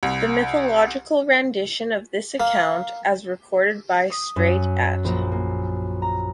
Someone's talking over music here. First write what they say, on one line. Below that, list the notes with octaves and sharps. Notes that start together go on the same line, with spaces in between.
The mythological rendition of this account as record by Straight et.
C2
A#3
D#6
F#2
A#1
A#3
A#5